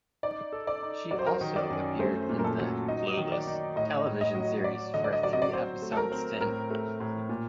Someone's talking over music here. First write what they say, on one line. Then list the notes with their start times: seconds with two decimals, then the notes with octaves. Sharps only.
She also appeared in the "Clueless" television series for a three episode stint.
0.23 D#4 D5
0.52 A4
0.67 D5
0.82 D#4
1.11 F#3 D5
1.19 C5
1.26 A#4
1.34 C5
1.41 D#3
1.56 D5
1.70 F#2
1.99 A3 C5
2.29 A#2
2.39 A#4
2.44 A4
2.58 F#3
2.88 D#4 D#5
3.17 D#3
3.32 D5
3.47 D#4
3.76 A2 D#5
4.05 A2
4.21 D#5
4.35 F#3
4.64 F#3 D5
4.94 D3 D#5
5.04 D5
5.13 D#5
5.23 F#3 D5
5.33 D#5
5.42 D5
5.53 C4 C5
5.82 A3
5.92 A4
5.97 A#4
6.12 C4
6.41 A2 A#4
6.70 A3
7.00 A2
7.29 A#2